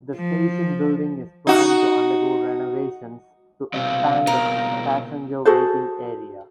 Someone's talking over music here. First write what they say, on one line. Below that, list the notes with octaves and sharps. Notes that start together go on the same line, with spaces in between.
The station building is planned to undergo renovations to expand the passenger waiting area.
F3
D#4 F#4
B1 C3 F5
C#2 B2 A#4
F#4 G#4 A4 C5